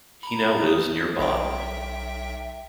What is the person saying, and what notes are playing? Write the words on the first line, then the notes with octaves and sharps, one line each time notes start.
He now lives near Bonn.
A#5 B5
D#6
B1 E5 G5